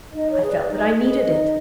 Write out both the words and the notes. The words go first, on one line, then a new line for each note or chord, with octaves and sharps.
I felt that I needed it.'
D#4 D#5
C#5
G#4 B4
D5
D#4 D#5
G#4 B4
D#4